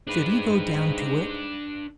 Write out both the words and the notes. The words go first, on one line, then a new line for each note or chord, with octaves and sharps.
Should he go down to it?
G#2 D4 B4